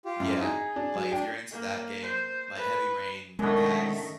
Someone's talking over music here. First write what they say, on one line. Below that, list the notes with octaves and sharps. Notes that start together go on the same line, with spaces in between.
Yeah, like, if you're into that game like, Heavy Rain has
F4 G4
F#2
D#4 G#4
D4
F#3
D4 G5
A#3
C5
B4
F#2 B2 D#3 G#3 A3 D4 G#5